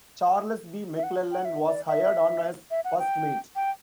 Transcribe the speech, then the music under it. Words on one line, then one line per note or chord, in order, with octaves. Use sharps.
Charles B. McLellan was hired on as first mate.
E5
F#5
G5
F#5
E5
D5
E5
E5
F#5
G5
G5